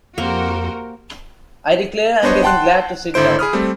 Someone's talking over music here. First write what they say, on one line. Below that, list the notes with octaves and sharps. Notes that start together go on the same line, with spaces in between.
I declare I’m getting glad to sit down.
F2 A#3 F#4 G4 A#4 C5
B3 D4 C5 C#5 D#5
F#5 G5 A5 C6 F#6
G#1 D3 E4 C5 D7
G#4 B5 D#6 F6
G3 A3 C4